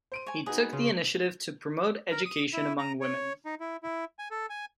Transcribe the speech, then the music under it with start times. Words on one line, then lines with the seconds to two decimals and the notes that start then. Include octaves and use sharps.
He took the initiative to promote education among women.
0.12 C5 D7 D#7
0.27 C#5 G#5
0.46 B3 D#4 F#4 G#4 B4
0.73 C#3 F4
2.11 A#4
2.26 D#6
2.53 E4
2.79 A#5
3.01 C#5
3.46 D#4
3.60 E4
3.83 E4
4.19 G#5
4.31 A4
4.50 G#5